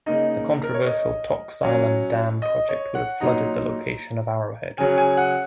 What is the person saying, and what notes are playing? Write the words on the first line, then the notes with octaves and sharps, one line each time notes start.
The controversial Tocks Island Dam project would have flooded the location of Arrowhead.
C#3 A#3 D#4 D#5
A#4
C#5
D#5
F#3 C#4
D#5
C#5
F#5
A#2 F#3 D#4 A#5
C#3 F#3 C#4 G#5
G#5
F#5